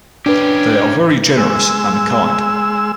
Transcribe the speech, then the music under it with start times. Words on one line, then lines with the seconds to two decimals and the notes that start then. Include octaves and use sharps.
They are very generous and kind.
0.26 C#4 D4 G4 B4
1.38 G#3 E6